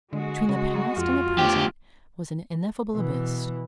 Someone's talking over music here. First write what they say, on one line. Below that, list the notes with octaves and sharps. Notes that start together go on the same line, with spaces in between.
Between the past and the present was an ineffable abyss.
D3 G#3 F#4
C#3
F2 F4
D2 G4
B2 E3